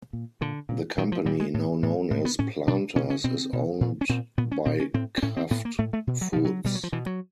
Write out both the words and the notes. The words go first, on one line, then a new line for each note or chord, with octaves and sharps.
The company, now known as Planters, is owned by Kraft Foods.
A#2
A#2 D3
A#2
A#2 D#3
F3
A#2 G3
G#3
A2
A2
A2
B3
A2 C#4
B2 D4
B2 C#4
C#4
B2 C4
B2
A#2
C#4
A#2 C4
A#2 B3
C#4
A#2 C4
C#4
A2 C4
C4
A2 C#4
C4
A2 B3
A#3
A2 A3
A3
B2
F#3
B2 F3
F#3
B2 G3
F#3
F3
B2 E3
F#3